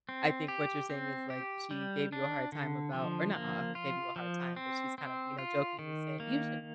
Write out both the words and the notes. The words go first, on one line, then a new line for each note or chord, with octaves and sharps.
I think what you're saying is, like, she gave you a hard time about or not, uh, gave you a hard time, but she's kind of, you know, jokingly saying, "You should
C4
G4
C4
G4
G3
D4
D3
F3
A#3
F4
F3
C4
C4
F4
D#3
A#3